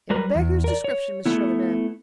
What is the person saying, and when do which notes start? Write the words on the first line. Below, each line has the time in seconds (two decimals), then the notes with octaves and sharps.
It beggars description, Miss Shirley, ma'am.
0.10 F#3 G3 A#4 B4
0.35 E2
0.64 A#4 D5
0.84 C#5
1.26 A3 B3 E4